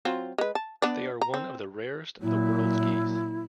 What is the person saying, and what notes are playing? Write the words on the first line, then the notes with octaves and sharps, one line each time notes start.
They are one of the rarest of the world's geese.
F#3 C4 F4
G#3 B4
A5
B3 D4 D5
A#5
C4
A#2 F#3 E4